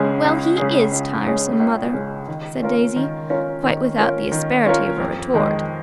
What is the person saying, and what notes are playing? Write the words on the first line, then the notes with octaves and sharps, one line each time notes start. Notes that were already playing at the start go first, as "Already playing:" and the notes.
"Well, he IS tiresome, Mother," said Daisy, quite without the asperity of a retort.
Already playing: C#2 C#3 G#3 C#4 G#4
C#2
C#3 G#3 C#4 G#4
C#2
C#3 G#3 C#4 G#4
C#2
C#3 G#3 C#4 G#4
D#3
C#4 F4 A#4 C#5
D#3
C#4 F4 A#4 C#5
D#3
C#4 F4 A#4 C#5
D#3
C#4 F4 A#4 C#5
F2
D#3 G#3